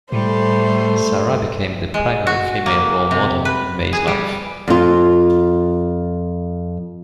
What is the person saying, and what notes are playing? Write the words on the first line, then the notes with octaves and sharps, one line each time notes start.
Sarah became the primary female role model in Mays' life.
A2 G3 A3 C5
G#3
F#4
A#3
C3
B4
G#4
G3
F2 F4